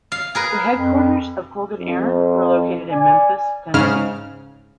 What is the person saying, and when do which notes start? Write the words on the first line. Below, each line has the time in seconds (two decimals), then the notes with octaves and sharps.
The headquarters of Colgan Air were located in Memphis, Tennessee.
0.12 F5
0.35 G#4 A#4 B4
0.75 F2
1.78 F2
2.91 D5 G#5
3.74 G#2 C#3 F6